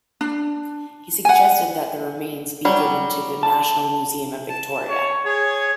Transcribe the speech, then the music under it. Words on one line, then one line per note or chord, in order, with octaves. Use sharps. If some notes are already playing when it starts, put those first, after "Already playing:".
He suggested that the remains be given to the National Museum of Victoria.
D4
F#5 G#5
F#3 G3
A5
A5
C#5
G#4 C#5 G#6